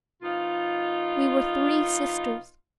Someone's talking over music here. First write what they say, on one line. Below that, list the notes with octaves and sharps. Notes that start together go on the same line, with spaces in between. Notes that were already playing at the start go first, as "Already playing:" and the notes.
We were three sisters.
B2 F3 D#4 F4